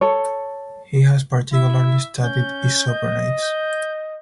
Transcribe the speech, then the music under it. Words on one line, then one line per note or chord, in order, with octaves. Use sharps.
He has particularly studied isoprenoids.
A4 C#5
E4 E5
C#4 G6
D#5
G6